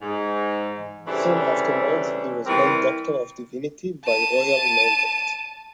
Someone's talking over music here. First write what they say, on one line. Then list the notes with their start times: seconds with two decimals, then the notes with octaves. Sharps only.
Soon afterwards, he was made Doctor of Divinity by royal mandate.
0.02 G#2
1.08 C#3 E3 G3 A3 C4 D4
2.46 E3 G3 C4 A#4 D5
4.05 A5 D#7